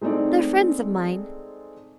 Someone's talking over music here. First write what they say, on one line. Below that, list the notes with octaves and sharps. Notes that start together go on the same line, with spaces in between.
They're friends of mine.
G#3 A3 C4 D#4 D5